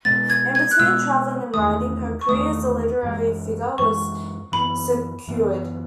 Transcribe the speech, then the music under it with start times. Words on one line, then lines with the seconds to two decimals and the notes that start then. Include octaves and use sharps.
In between traveling and writing, her career as a literary figure was secured.
0.05 B2 G#3 B3 A6
0.30 G#6
0.55 G#6
0.71 F#6
0.79 B2 G#3 B3 E6
1.54 E2 D#3 A3 D#6
2.21 C#6
2.28 E2 D#3 A3 D#6
3.03 F#2 E3 G#3
3.78 F#2 E3 G#3 C#6
4.52 F#2 E3 B3 B5
5.27 F#2 E3 B3